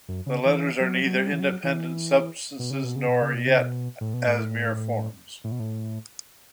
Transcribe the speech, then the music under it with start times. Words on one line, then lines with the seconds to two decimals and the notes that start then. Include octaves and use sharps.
The letters are neither independent substances nor yet as mere forms.
0.08 F#2
0.26 C#3
0.45 E3
0.80 F#3
1.06 F#3
1.16 G3
1.33 E3
1.40 F#3
1.64 E3
2.59 B2
2.71 C#3
2.84 B2
2.96 C#3
3.08 B2
3.22 C#3
3.35 B2
3.47 C#3
3.59 B2
4.01 A2
4.14 B2
4.27 A2
5.44 A2
5.52 B2
5.60 A2